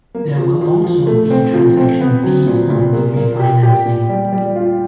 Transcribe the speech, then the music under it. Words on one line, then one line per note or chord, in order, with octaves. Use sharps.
There will also be transaction fees on the refinancing.
A#3
F3
F3
F3
A3
C4
F3
C4
B3
F#3
A#2
A#2
A#3
A#3
G4
G4
A#2
G3
G3
F4